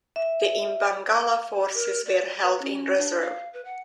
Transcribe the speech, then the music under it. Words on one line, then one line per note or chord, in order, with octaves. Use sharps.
The Imbangala forces were held in reserve.
E5
A#4
D5
B4
C#4
D4
F5
B4
F#5